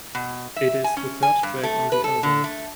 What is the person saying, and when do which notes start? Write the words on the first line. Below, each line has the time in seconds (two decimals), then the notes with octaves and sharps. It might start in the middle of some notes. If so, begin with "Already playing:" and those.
It is the third track on the album.
0.15 B2
0.56 E5
0.84 G#5
0.97 C#4
1.23 G#5
1.43 G2
1.63 A3
1.92 B4
2.04 A4
2.23 D3
2.44 A3